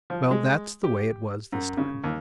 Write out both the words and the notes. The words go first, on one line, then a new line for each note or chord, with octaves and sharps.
Well, that's the way it was this time.
F3
G#3
G4
F#2
C#3
D#2